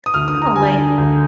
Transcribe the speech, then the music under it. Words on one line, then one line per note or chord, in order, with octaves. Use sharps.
I don't know. Like,
D#6
D2 F6
D#6
D3
A#5
D2 G#5
D3
D2